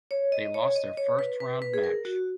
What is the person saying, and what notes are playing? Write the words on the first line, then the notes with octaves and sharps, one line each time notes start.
They lost their first round match.
C#5
D#5
C#5
D#5
C#5
B4
B4
B4
G#4
A#4
F#4